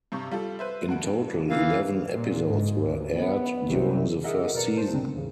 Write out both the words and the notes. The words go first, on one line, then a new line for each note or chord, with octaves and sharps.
In total, eleven episodes were aired during the first season.
G2 C3 C#6
G3 F4 A4
B4 C5 E5
G2 F#4 D7
E3 A#3 E4 F5
A#2
G#2
D2
B3
C2
G#4 A#4 D#5 E5 F#5 E6
B2 A#4 B4 D5 A#5 C#7
D4 C5 A5
G#2 D3 D#3 C4 D4 D#4
D#2 G#2 C#3 E3